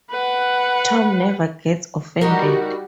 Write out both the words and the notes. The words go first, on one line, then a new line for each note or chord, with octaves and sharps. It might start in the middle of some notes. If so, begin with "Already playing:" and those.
Tom never gets offended.
B4 F#5
G3 D#4 F#4 G4 A#4